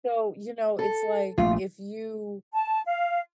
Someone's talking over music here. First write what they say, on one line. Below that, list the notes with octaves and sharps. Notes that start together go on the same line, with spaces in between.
So, you know, it's like if you
A4
A#1 A3 F4
A5
F5